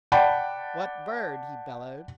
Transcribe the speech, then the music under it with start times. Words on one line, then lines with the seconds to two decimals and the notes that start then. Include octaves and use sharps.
"What bird?" he bellowed.
0.12 D5 F#5 G5 A5 B5